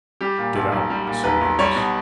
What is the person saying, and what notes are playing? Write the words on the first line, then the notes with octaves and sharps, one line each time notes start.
"Get out," said a voice.
G3 G4
A#2
B1
B1
G3
A#2
B1 B4
B1
G3 C#5
B2